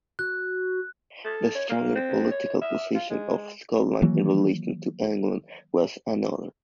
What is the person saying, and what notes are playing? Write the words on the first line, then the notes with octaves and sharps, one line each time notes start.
The stronger political position of Scotland in relation to England was another.
F#4 F#6
A4
C#5
A#3
C4
C#5
E5
F4
G#3
D#3 E3 F#3 A#3